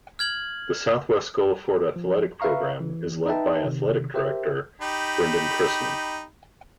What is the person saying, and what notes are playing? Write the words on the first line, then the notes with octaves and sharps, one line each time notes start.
The Southwest Guilford Athletic program is led by athletic director Brindon Christman.
F6 G#6 F#7
F3
B4 E5 F5 A#5 C#6
E3
D#4 B4 D#5 E5 G5 A5
C3 D#3
G4 A#4 C5 E5
D#4 G4 B5